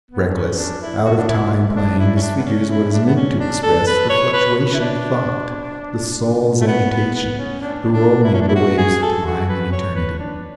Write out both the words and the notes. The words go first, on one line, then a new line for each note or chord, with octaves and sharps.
Reckless, out-of-time playing disfigures what is meant to express the fluctuation of thought, the soul's agitation, the rolling of the waves of time and eternity.
B3
D4
C#4
D4
E4
F#4
D4
E4
D4
E4
C#4
D4
B3
C#4
E4
D4
B3
C#4
D4
A4
B4
C#5
B4
E4
D4
A3
B3
B3
B3
C#4
D4
D4
E4
C#4
D4
E4
F#4
G#4
A4
F#4
B4
C#5
B4
D4